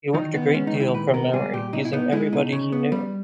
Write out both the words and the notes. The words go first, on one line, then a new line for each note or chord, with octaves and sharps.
He worked a great deal from memory, using everybody he knew.
D#3 D#4
B3
G#3 C#4
D#4
D#3
E4
A#2 B4
B3 A#4
G3 G#4
A#2 G4
B2 D#4
E4
B3 D#4
G#3 E4
B2 D#4
C#3
B3
G3